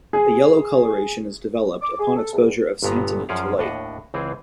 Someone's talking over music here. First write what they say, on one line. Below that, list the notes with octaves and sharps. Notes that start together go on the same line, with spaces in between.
A yellow coloration is developed upon exposure of santonin to light.
G#4
D6
G#4
A4
E2
G1 G2 A#2 B3 A#5
F#2 F3 C#4 G#4 D5 F5
D#2 A2 D4 D#5 F#5
C#2 E3 C4 G#4